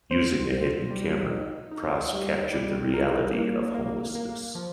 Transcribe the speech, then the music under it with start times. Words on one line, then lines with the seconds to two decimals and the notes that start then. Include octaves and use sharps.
Using a hidden camera, Pras captured the reality of homelessness.
0.11 C5
0.51 C5
0.91 G3
1.31 D#4
1.71 D#4
2.13 G3
2.53 G3
2.94 A#4
3.33 A#3
3.74 A#3
4.15 A#3
4.55 F3